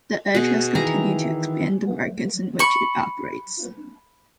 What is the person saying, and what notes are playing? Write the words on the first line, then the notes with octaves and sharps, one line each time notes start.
The Edge has continued to expand the markets in which it operates.
B2 G#4
D#3 E3 G#4 A#5
B5 C#6